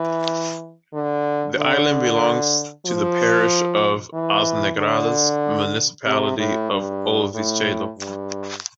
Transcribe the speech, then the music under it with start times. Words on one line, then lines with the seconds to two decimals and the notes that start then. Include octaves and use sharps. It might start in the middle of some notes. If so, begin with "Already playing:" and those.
The island belongs to the parish of As Negradas, municipality of O Vicedo.
Already playing: E3
0.94 D3
1.57 D3
2.86 F3
4.13 E3
4.78 D3
6.06 C3
6.38 A2
6.71 G2
7.35 A2
7.99 G2